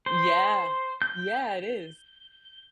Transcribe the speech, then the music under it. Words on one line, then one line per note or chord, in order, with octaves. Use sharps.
Yeah. Yeah, it is.
C5
G6